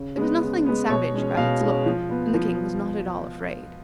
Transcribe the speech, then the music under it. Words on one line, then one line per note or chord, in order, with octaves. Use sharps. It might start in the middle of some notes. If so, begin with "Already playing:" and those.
There was nothing savage about its look, and the King was not at all afraid.
Already playing: C#3
G#3 B3
C#3
G#3 B3
B2 C#5
G#3 C#4
B2 F5
G#3 C#4
F3
B3
F3